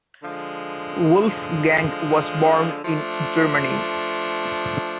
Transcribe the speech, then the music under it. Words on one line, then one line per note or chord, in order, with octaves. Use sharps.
Wolfgang was born in Germany.
D3 F3 G#3
F3 A3 D4